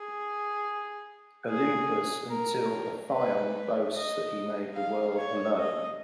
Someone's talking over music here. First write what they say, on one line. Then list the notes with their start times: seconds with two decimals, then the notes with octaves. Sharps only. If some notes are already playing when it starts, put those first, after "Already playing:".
Olympus until Ophion boasts that he made the world alone.
Already playing: G#4
1.50 G#4
2.30 A#4
3.12 B4
3.94 D#5
4.75 F5
5.17 C#5
5.57 D#5